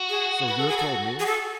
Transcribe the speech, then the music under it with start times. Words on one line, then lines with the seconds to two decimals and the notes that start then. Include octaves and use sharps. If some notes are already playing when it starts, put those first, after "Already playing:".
"So you have told me."
Already playing: F#4
0.10 G#4
0.48 B4
0.58 A4
0.68 G#4
0.77 A4
1.20 G#4
1.26 A4